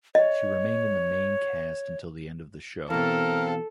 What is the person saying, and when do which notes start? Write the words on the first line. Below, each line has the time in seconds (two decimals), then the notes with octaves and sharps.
She remained in the main cast until the end of the show.
0.15 C#5 D#5
2.90 B2 E3 C4 A4 A#4 F5 A5